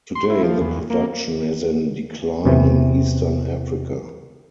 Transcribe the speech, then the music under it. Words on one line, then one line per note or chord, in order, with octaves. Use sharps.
Today the production is in decline in eastern Africa.
C6
E4
F3
E2
A#3
E2 C3 E3